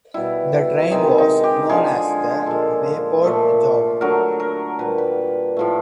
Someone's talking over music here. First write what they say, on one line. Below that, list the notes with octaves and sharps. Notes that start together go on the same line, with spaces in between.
The train was known as the "Bayport Job".
B2 G3 E4
E4
C3 D#3 G#3 D#4
D#4
G4
D3 F3 G#3 G#4
A#2 F3 G#3 A4
A#2 F3 A3
D3 F#3 A3 A#4
A#4
A#2 G3 B4
B4
A2 F3 A3